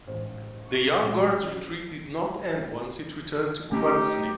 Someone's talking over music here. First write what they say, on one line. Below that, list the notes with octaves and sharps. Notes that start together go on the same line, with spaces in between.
The Young Guard's retreat did not end once it returned to Krasny.
A1 G#2 C5
C#6
A#2 G#3 C#4
C#4 F#4
A3 C#4 D#4 G4